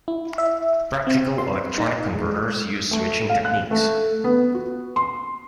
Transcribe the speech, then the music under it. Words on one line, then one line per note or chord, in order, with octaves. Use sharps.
Practical electronic converters use switching techniques.
E4
E5
C4
C6
D#4
G#3
A3
F5
F#6
A3
B3
F#4
C6